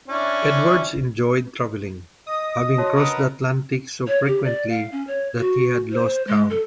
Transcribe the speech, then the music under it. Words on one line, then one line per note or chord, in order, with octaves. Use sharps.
Edwards enjoyed traveling, having crossed the Atlantic so frequently that he had lost count.
C#4 D4 E4
D#5 D#6
F#4 C#5 A5
B3 A#4
C#5
G4
D5
F5
C#4
C#5
F#4
C5
G#3
A4